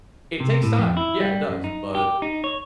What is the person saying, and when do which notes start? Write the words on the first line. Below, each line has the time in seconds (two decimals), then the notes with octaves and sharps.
it takes time. Yeah, it does. But,
0.40 C3
0.63 A2
0.79 F2
0.97 E4
1.20 G3
1.49 F#2
1.64 D#4
1.95 G4
2.22 D#4
2.44 C#5